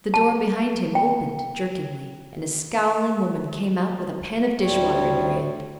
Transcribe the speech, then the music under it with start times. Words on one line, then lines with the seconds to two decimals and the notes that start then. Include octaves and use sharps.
The door behind him opened jerkingly, and a scowling woman came out with a pan of dishwater in her hand.
0.14 A5
0.95 G5
4.60 D2 A2 G3 C4 C#5